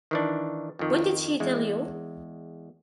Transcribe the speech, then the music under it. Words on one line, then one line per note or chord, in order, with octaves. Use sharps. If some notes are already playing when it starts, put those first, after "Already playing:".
When did she tell you?
D#3 E3 D4
F2 D#3
E2 G#3